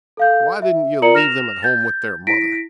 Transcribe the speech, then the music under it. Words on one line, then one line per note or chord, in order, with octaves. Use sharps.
Why didn't you leave them at home with their mother?
A4 F5 G6
E5
F4 A#4 D5 A#5 C#7 F#7
F6 A#6 E7 F7
G6 A6
E4 A#6 B6 D7